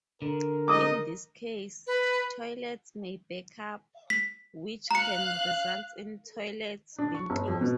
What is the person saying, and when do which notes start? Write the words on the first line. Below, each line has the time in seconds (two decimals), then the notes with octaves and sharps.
In this case, toilets may back up, which can result in toilets being closed.
0.22 D3 A#4
0.68 D#4 D#5 D6 D#6
1.87 B4
4.10 B6
4.91 F5 A#5 F#6 C#7
6.98 D4
7.14 C#6
7.30 G1
7.48 F2
7.61 B2